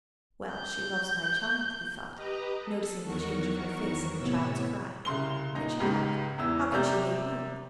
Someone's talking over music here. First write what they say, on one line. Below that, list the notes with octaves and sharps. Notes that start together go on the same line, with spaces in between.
"Well, she loves my child," he thought, noticing the change of her face at the child's cry, "my child: how can she hate me?"
G6
G4 B4 D#5 A#5 D#6
A4
E2 D#3 F#3 F#4 A#4 C#6
A2 C3 B3 C#5 E6
C2 C#3 C6 G7
A#2 D#4 A#5
C#2 G#2 C#3 G4 A#5
E2 E3 E6
G#1 C3 G4 D5 A#5 G6